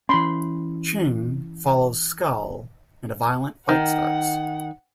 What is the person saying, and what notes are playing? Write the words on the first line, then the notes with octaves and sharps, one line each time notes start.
Ching follows Skull and a violent fight starts.
E3 C#4 B5 C6
D#3 F#5